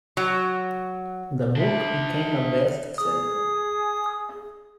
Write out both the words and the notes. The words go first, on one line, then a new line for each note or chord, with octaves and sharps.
The book became a best-seller.
F#3
D4 E5
G#4 D#6